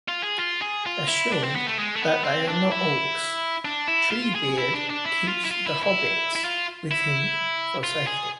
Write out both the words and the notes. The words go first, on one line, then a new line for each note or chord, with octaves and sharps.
Assured that they are not orcs, Treebeard keeps the hobbits with him for safety.
F4
G#4
F4
G#4
F4
E4
D4
C4
B3
A3
G#3
A3
B3
C4
D4
E4
D4
E4
F4
G#4
E4
D4
D4
E4
F4
E4
F4
E4
E4
E4
F4
E4
F4
G#4